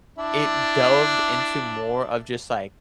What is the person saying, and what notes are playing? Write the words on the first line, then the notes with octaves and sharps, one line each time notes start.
it delved into more of just, like,
D4 E4